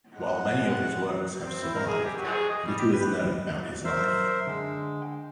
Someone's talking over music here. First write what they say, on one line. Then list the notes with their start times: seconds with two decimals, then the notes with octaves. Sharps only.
While many of his works have survived, little is known about his life.
0.15 A2 G#3 F#5
1.44 C4
1.62 E4
1.74 A#4
1.87 G#4
2.05 G4
2.17 F#3
2.31 G#4
2.49 D#5
2.65 G3
2.78 G4
2.92 B4
3.84 F#2 A#4 C5 E5
4.47 D3 G#3
5.02 G5